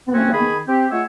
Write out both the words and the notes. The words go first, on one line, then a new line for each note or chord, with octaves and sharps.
Oh my god.
C4 C#4 F#4
D#3 G#4 B5
C4 G4
G#3 A3 F4 C#5 E5 F#5